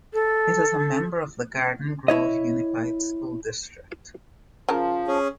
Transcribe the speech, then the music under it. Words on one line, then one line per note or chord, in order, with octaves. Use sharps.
It is a member of the Garden Grove Unified School District.
A4
E4 C#5 D#5
C#3 F3 A#4 A5
C#4 G#4